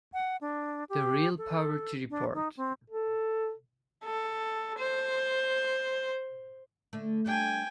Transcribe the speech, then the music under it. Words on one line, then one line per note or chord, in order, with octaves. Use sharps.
The Real Poverty Report.
F#5
D4
G4
A4
D4
D#4
C4
A4
A4
C5
D3 A3
G3 D4 G5 G#5